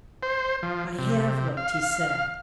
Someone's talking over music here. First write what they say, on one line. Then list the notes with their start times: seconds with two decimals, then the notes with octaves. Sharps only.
"I have looked," he said.
0.23 C5
0.63 F3
0.98 C3
1.57 F5